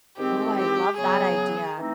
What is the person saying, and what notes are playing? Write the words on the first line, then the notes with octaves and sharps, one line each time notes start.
Oh, I love that idea.
G#2 D#3 G#3 C4 G4
G4
C#3 F#3 B3 G#4
E3 A3 C4 D#4